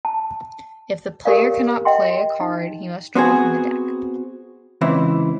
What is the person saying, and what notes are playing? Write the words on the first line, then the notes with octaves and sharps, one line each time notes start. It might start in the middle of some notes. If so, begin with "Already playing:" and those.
If the player cannot play a card, he must draw from the deck.
A5
G4 A4 A#4 C#5 D5 F5
D#5 F#5 G5 C6
D#4
B3 C4 F#4 G#4
C#2 E3 C4 E4